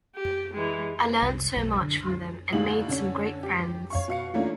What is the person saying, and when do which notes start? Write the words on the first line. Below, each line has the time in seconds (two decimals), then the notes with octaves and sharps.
I learnt so much from them and made some great friends.
0.15 G4
0.54 E3 G#3
1.22 C2
1.57 B1
1.81 D3
2.52 D#2 A2 D3 D#4 F5 F#7
2.88 D3 C#4
3.43 G4
3.90 C#5 F5 C#6
4.08 B2 F5 C#7
4.33 E3 A3 A#3 C#4 D4 F4